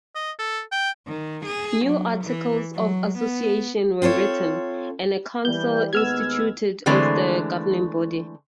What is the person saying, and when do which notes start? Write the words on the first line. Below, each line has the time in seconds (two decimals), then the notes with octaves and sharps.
New Articles of Association were written, and a Council instituted as the governing body.
0.15 D#5
0.39 A4
0.72 G5
1.07 D#3
1.45 G#4
1.86 F#3
2.24 E3
2.74 F#3
3.19 B3
4.02 C4 F4 A4 C#5
5.45 E3 G3 G6
5.93 D#2 G#3 B3 E6 F6 G#6
6.86 D3 E3 G#3 A3 C4